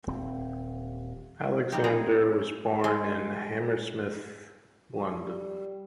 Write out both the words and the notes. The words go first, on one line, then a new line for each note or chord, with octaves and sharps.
Alexander was born in Hammersmith, London.
D#1 C4
G3 A#3 C4 D#4 G4
C4 G#4 B4 G5 A#5
G#3
G3